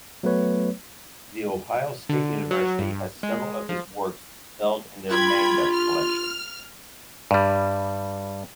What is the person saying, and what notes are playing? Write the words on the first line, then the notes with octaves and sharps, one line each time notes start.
The Ohio State University has several of his works held in their Manga Collection.
F#3 A3 B3 B4 C#5
D3
F#3
G2
G#3
F3
F4 G5 B5 G#6
F6
G2 G3